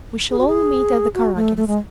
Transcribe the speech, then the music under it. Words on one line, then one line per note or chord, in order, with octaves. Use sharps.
We shall all meet at the Karagins'!
G#4
F#4
G#4
F#4
A3
A3
G#3